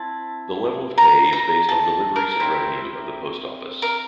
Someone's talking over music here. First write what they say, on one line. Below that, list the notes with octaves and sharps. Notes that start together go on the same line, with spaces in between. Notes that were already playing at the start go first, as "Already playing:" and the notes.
The level of pay is based on deliveries and revenue of the post office.
Already playing: C4 E4 A5
A#5
A#5
A5
A#4
C4 E4 G4
A#4